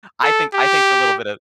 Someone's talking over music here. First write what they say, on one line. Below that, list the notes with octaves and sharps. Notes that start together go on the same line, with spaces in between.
I think I think the little bit of
A4
G4